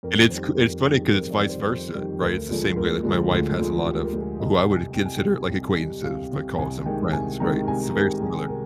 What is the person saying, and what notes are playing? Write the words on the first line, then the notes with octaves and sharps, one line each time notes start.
And it's c it's funny 'cause it's vice versa, right? It's the same way, like, my wife has a lot of who I would consider, like, acquaintances, but calls them friends, right? It's very similar.
F2 A#4
D#3 G3 C5
F2 A#4
D#3 G3 G#4
F2 A#4
D5
D#3 G3
C5
F2 C5
D#3 G3
D2 A#4
D3 F3 G#3
D2 A#4
D3 F3 G#3
D2
D3 F3 G#3
D2 G4
A#4
D3 F3 G#3
G#4
C2 D#5
G5
C3 G3
G#5
C2 G5
G#5
G5
C3 G3
C2
C3 G3
C2 F5
C3 G3
C2 G#5
C3 D#3 G#3 G5
C2 G#5
C3 D#3 G#3 A#5
C2 G#5
C3 D#3 G#3 A#4
C2 G#4
C3 A#4